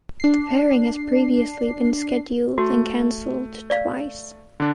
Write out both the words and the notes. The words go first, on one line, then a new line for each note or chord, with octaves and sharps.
The pairing has previously been scheduled and cancelled twice.
D4 C7
A3 F#4
D5 F5
D3 D4